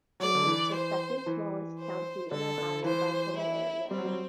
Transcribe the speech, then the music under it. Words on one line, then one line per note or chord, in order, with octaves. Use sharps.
It is the second-smallest county in Ohio by total area.
F#3 D5
D3
E3
C5
E3
C5
D3 A4
D3
E3 C5
E4
G3 C4
F#3
G3
F#3